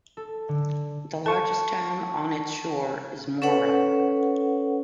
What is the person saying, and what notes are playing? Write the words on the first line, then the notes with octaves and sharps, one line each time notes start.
The largest town on its shore is Mora.
A4
D3
A4 A5 C#6
C#4 A4 B4 C#5 F#5